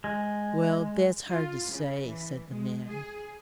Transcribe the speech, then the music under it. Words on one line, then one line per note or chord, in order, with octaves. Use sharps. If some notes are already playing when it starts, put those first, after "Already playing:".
"Well, that's hard to say," said the man.
G#3
F4
C#3
E3
G#3
G#4